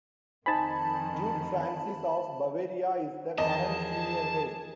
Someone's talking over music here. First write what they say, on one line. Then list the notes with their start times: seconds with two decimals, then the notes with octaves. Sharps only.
Duke Francis of Bavaria is the current senior heir.
0.46 F2 D#3 D#4 C5 G#5 A5 B5
3.38 E2 D#3 F3 G#4 D#5 A5